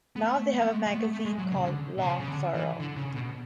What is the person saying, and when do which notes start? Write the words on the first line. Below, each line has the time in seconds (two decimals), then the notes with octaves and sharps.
Now they have a magazine called "Long Furrow".
0.16 B3
0.22 A3
0.54 B3
0.64 A3
0.74 G#3
0.86 A3
0.94 B3
0.99 A3
1.12 A3
1.25 G#3
1.38 F#3
1.51 C#3
1.63 D3
1.98 B2
2.03 C#3
2.20 C#3
2.28 D3
2.54 E3
2.80 D3
2.97 C#3
3.14 B2